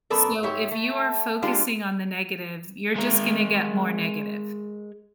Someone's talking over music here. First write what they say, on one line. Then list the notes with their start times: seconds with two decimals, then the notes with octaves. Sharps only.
So, if you are focusing on the negative, you're just gonna get more negative.
0.10 F#2 B3 A4 A#4 D5
0.43 G#2 G4 C#5 E5
0.71 A3
1.42 G#3 D4 F4 G4
2.96 G#3 A#4